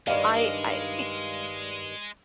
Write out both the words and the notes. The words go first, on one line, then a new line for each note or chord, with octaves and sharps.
I I be
G2 D#3 G#3 D5 F5